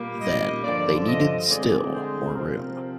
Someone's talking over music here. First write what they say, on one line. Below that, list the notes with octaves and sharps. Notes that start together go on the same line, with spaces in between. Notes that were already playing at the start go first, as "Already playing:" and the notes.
Then they needed still more room.
Already playing: A#2 G3 A#3
D#5
G2 D3 F3 D5
D#5
D3 G#3 C4 D5
C5
C3 F3 C4 A#4